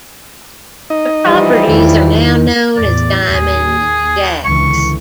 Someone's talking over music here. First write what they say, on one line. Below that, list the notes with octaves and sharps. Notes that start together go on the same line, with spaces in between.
The properties are now known as "Diamond Jack's".
D#4 D#5
E3 F3 G3
E2 D#3 E4
E2 A2 D5
D#2 G#4
C#2 D3 E3 C#6